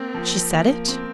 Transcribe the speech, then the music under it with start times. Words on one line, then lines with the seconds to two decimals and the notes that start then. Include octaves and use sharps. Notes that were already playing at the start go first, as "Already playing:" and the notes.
She said it?
Already playing: A#3 C4
0.14 F3
0.51 A#3
0.88 C4